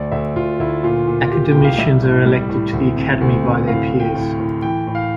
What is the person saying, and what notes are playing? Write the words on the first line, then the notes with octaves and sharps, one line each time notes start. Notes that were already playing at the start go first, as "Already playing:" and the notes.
Academicians are elected to the Academy by their peers.
Already playing: D2 A3 D5
D2 E5
D2 F4
D2 E4
A#2 F4
A#2
A#2 G4
C2 G5
F5
G3 E5
A2
G3
A2
D2
C3
D2
C3
A2 F5
A2
G5
A2
A2
E3 G5
A2
F5